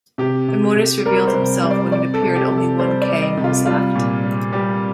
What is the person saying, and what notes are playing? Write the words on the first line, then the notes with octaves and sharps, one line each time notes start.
Immortus revealed himself when it appeared only one Kang was left.
C3 G4
C3
C3
G3 A#4
C5
C3
G3
D5
C3 D5
A4
C3
G4
C3
A4
G3 C5
D5
G3
D#5
C3
F4
G3 F4
A#2
G3
G3 G4